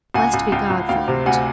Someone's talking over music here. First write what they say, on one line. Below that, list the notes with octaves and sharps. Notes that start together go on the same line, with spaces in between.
Blessed be God for it!
C#2 F#5 G#5
C#2
C#2 F5 G5
C#2
D2 F5 G5
C3
D2 F#5 G#5